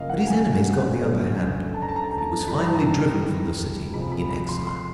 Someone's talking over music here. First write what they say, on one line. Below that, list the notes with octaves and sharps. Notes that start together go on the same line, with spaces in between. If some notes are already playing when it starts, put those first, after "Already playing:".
But his enemies got the upper hand, and he was finally driven from the city in exile.
Already playing: F#2 C#3 F3 A#3 D#5 F5
F#5
G#5
D3 F#3 A3 C#4
A5
A#5
A5
A#5
A5
A#5
A5
G2 E3 G3 B5
A#5
A5
A#5
F2 C3 F3 G#3 B5
B5
B5
C6
C6